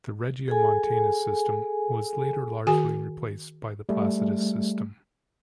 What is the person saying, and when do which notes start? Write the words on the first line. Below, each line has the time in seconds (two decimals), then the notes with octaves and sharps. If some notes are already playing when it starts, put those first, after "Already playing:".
The Regiomontanus system was later largely replaced by the Placidus system.
0.48 G#4 A4 G#5
2.67 D#3 F#4 G#4 G#5
3.89 G3 A3